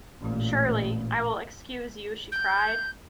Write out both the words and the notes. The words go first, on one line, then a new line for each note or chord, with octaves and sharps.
Surely I will excuse you, she cried.
A1 A#2
G6